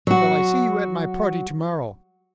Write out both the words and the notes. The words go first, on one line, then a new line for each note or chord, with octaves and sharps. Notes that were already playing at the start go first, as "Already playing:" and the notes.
"Shall I see you at my party tomorrow?"
F#3 F#4